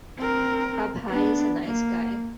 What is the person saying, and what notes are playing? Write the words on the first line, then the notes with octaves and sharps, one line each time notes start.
Abhay is a nice guy.
C4 A#4
B3 D4
A#3